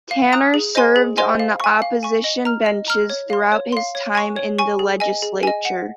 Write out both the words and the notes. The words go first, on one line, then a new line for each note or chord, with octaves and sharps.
Tanner served on the opposition benches throughout his time in the legislature.
F5
A#5 D#6 F#6
G#4
C5 D#5 G#5 C6
G#4
C5 D#5 G#5 C6
F5
G#5 C#6
F5
G#5 C#6
D#5
A#5 F6
D#5
A#5 F6
C#5
F5 C6
C#5
F5 C6
C#5
G#5 C#6
C#5
G#5 C#6
G#4
D#5 G#5
G#4
D#5 G#5
F#5